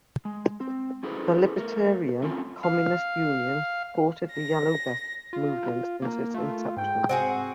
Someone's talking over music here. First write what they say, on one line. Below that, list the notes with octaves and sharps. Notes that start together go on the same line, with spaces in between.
The Libertarian Communist Union supported the Yellow vests movement since its inception.
G#3
C4
C#4 E4 G#4 A4 B4 C5
A3 A#4
A3 C4 C#4 F4
F5
A#6
F4
A#3
A3 F4
G#2 G5
C4 F#4 G#4 F#5